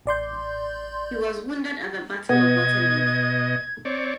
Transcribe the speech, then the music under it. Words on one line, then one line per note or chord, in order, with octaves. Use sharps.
He was wounded at the Battle of Waterloo.
A1 D5 C6 G6
B2 B3 D#5 G#6
C4 C#5 D5